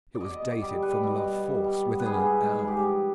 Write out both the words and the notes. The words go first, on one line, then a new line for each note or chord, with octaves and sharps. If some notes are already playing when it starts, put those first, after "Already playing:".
It was dated from La Force, within an hour.
D5
B2 D#5
B2
D5
G3
G3 B4
B2
B2
G3
G3
B3
B4
B3 G#4
G#2
G#2
G#4
G2 G4
F3